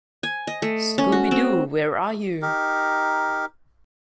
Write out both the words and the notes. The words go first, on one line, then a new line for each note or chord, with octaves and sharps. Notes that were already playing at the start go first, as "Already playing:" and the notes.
Scooby-Doo, Where Are You!
G#5
D#5
A3
C#4
F#4
C4
D#4 G4 A#4